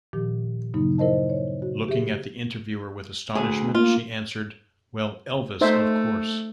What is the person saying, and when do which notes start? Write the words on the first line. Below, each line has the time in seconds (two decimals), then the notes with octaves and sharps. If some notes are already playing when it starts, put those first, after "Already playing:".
Looking at the interviewer with astonishment, she answered: Well, Elvis of course!
0.13 A#2 D#3 F3 G4
0.74 G2 C#3 F#3 A#3 D#4
0.98 E4 A#4 C5 D#5 A5
1.30 C#5
1.62 F#4
1.88 G4 G#4 E5
3.35 D2 G#4
3.75 A#3 F4
5.61 A3 D#4 C5 E5